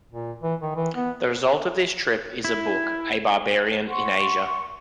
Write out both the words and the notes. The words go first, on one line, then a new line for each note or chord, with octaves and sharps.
The result of this trip is the book "A Barbarian in Asia".
A#2
E3
D#3
E3
B3
E4
F#5 C6 C#6